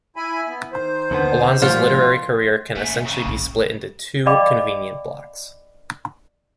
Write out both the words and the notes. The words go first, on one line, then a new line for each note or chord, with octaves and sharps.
Alonso's literary career can essentially be split into two convenient blocks.
E4 G#5 B5
B3
D#3 C5
D#2 D3 B3
A2 F3 G3 F4
A3 A#3 C#4
D#2 C#3
A#1 F2
D5 D#5 F5 G5 B5 D6